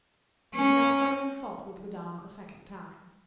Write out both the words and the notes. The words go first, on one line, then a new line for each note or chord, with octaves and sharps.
"He is now finding fault with Madame a second time."
C#4